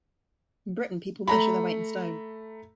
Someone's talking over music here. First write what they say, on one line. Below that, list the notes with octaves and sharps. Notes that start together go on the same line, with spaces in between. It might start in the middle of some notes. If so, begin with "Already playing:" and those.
In Britain people measure their weight in stone.
A3 A#5 B5